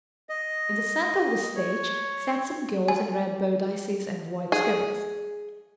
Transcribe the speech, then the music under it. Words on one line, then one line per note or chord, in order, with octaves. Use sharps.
In the center of the stage sat some girls in red bodices and white skirts.
D#5
C#5
G#5
G#4